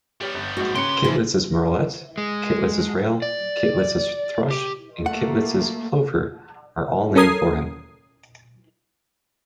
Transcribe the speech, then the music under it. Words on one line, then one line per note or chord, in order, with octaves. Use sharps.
Kittlitz's murrelet, Kittlitz's rail, Kittlitz's thrush and Kittlitz's plover are all named for him.
G3 B3 G4 C#5 F6
G1
A#1 G#2 F#4
C#3 G4 B4 C6 C#7 D7
G#2 E3 F3 E4
G#3
D5
G4
A3 A#3 F#5
C#4 A4 A#4 D#6 G#6 C7